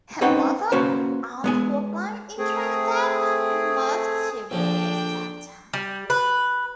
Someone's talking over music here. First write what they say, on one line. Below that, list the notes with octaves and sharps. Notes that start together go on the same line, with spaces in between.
Her mother and aunt were born in Trinidad and moved to Minnesota.
C4 C#4 D#4 B4 F#5 G5
A#3 C#4 F#4 B4 C5
G#3 B3 G#5
A3 C4 G#4
A#1 D3 F3 D4 G5
G3
B4